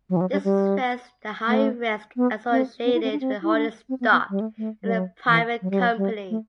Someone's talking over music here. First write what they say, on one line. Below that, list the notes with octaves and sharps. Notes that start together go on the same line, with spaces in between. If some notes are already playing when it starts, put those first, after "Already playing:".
This reflects the higher risk associated with holding stock in a private company.
F#3
E3
F#3
G3
G3
A3
B3
C4
C4
E4
C4
D4
C4
E4
D4
C4
B3
B3
G3
A3
A3
G3
F#3
E3
F#3
G3
F#3
G3
A3